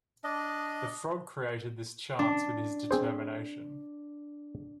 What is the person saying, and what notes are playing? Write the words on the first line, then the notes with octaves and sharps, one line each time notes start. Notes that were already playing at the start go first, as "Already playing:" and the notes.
The frog created this chance with his determination.
D4 D#5
D4
C4 G#4 C5